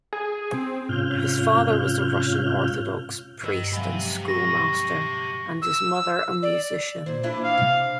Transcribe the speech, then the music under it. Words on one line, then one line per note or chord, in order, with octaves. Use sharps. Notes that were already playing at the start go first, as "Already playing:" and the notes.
His father was a Russian Orthodox priest and schoolmaster, and his mother a musician.
G#4
C4
G#2 C3 C#4 F4 F6 G6
G2 A#4 D#5 E6
F3 F#3 G#3 G4 E5 B5
C#6 A#6
E6
D5
A#2 C5
E3 D4 E4
F5
C3